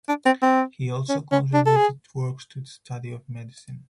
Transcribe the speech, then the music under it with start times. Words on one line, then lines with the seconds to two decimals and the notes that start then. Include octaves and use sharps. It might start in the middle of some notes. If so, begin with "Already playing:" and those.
He also contributed works to the study of medicine.
0.08 D4
0.26 C4
0.42 C4
1.09 C#4
1.32 C#4
1.54 D4
1.66 A4
1.76 G#4